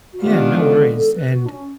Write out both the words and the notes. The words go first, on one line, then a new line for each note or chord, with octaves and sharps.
Yeah, no worries, and,
F#4
D#3 G#3 B3 D4 F4 G4
A4
A4
B4
F#4
D4
C#4